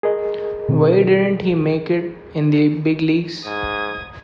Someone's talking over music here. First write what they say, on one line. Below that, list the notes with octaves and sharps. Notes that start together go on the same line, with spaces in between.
Why didn't he make it in the big leagues?
G#4 A#4 D#5
B2 D#3 C4
G#2 D#6 G#6